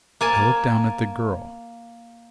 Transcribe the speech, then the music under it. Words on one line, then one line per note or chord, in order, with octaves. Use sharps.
I looked down at the girl.
A#3 G#5 A5